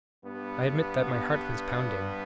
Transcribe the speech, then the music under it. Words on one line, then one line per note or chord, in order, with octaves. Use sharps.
I admit that my heart was pounding.
G2 G3 B3